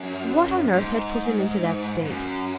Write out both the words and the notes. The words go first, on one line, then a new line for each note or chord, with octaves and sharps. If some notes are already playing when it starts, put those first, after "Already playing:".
What on earth had put him into that state?
Already playing: F#2
G#2
F#2